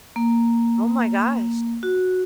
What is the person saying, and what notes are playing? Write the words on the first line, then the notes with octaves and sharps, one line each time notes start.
Oh my gosh.
A#3
F#4